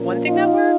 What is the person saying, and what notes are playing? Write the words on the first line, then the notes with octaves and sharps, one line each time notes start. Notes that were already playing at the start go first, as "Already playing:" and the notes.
One thing that worked
Already playing: A#2 F3 A#3 C#4
D#4 F4